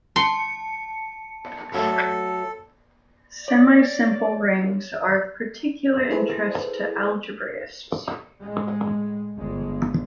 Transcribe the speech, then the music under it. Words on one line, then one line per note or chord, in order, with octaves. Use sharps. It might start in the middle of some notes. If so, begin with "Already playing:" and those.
Semisimple rings are of particular interest to algebraists.
A5 C6 C#7
F#3 A3 A4
C#5 D5
E4 G#4 A4 B4 C5
A2 G#3
G1 G2 G#3